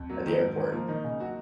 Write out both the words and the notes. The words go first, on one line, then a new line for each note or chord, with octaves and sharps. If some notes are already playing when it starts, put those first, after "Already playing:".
at the airport,
Already playing: F2
F#3 A#3
D#3
G#2
D#3
F3 A#3
D#3 D#4
C#3 D#4
F#3 F#4